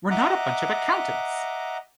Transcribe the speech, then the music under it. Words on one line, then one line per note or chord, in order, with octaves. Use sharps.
We're not a bunch of accountants!
D#5 E5 F#5 A#5 D6